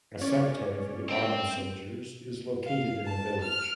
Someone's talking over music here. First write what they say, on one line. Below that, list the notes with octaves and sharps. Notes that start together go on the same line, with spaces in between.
A cemetery for the Ottoman soldiers is located in the village.
C#4 C#5 D5
C4 G5
F5
A5
F6